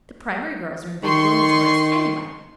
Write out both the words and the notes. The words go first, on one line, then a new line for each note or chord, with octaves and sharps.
The primary girls are in big dormitories, anyway.
D#3 C6 C#6